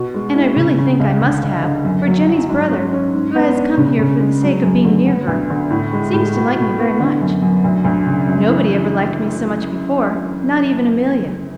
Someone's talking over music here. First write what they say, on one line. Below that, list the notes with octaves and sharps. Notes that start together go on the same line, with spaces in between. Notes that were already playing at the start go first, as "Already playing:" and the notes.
And I really think I must have, for Jenny's brother, who has come here for the sake of being near her, seems to like me very much. Nobody ever liked me so much before, not even Amelia.
Already playing: B2
G#3
E4
C#3
C#3
C#2
D3
D3
D3
F#2
F#3
F#3
G#2
C#4
C#4
G#2
B3
D4
C#3
C#3
G#3
F#3
F#2
D3
B3
D2
D3
A2
G#3
A2
B2
B2
B3
D3
F#2
F#2
D2
D2
C#3
F#2
E3